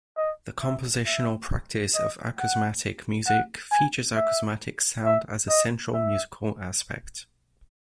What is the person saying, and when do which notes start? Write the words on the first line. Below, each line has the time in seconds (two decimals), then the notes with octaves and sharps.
The compositional practice of acousmatic music features acousmatic sound as a central musical aspect.
0.17 D#5
0.61 E5
1.06 E5
1.95 D#5
2.39 F#5
3.27 F#5
3.72 G#5
4.16 E5
5.05 E5
5.49 D#5
5.94 E5